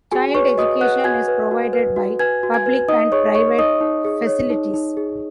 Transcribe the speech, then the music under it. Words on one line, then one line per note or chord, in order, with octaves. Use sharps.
Child education is provided by public and private facilities.
F#4 G#4 G#5
B4 C#5 C#6
F#4 D#5 D#6
B4 F#5 F#6
F#4 G#5 G#6
B4
F#4
B4
F#4
B4 G#5 G#6
F#4
G#5 G#6
B4
D#4 D#5 D#6
G#4 C#5 C#6
C#5 C#6
D#4 D#5 D#6
D#4
G#4
C#5
D#4
D#4
G#4